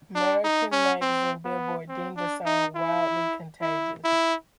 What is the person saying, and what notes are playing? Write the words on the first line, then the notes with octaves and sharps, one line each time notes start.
American magazine "Billboard" deemed the song "wildly contagious".
D4
D#4
C#4
C4
B3
C4
D4
D#4
E4
E4
E4